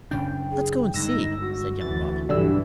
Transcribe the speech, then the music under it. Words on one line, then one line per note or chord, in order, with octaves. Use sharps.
"Let's go and see," said young Robin.
F#2 C#3 C#4 D4 G5
G#4
G2 D3 G#3 D#4 E6 A#6
F#4
D2 E3 A6
B1 G2 D3 E3 F#3 G3 E6